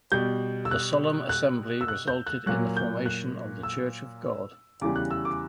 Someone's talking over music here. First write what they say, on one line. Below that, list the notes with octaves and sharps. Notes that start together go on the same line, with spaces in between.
The "solemn assembly" resulted in the formation of The Church of God.
B2 G3 G6
E6
F#6
F#6
E6
F#6
G6
F#6
A#2 F#3 F#6
G6
F#6
E6
E2 C#3 E3 G3 D6
F#6
E6
D6